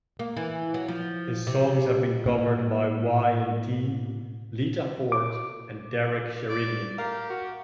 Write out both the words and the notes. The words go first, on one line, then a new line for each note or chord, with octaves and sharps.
His songs have been covered by Y and T, Lita Ford and Derek Sherinian.
A#3
E3
F#3
F3
C3
A2 A#3
D6
D5
G4 A#4 F5
F#4